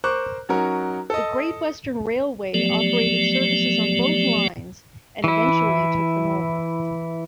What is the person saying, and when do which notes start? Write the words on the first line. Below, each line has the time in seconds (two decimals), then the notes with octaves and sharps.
The Great Western Railway operated services on both lines and eventually took them over.
0.04 A#4 C5 C#6 D6 F#6
0.49 F#3 C#4 D#4 F#4 A#4
1.10 A4 D#5
2.54 F3 F#3 A3 B3 G4 D5
5.24 E3 E4